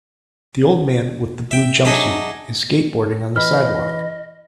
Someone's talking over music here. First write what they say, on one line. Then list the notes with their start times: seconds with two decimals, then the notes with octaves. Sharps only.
The old man with the blue jumpsuit is skateboarding on the sidewalk.
1.51 E5 G5
1.85 F#3 D4 D#4 G#4 D#5 E5
3.36 E3 D#5 B5 F6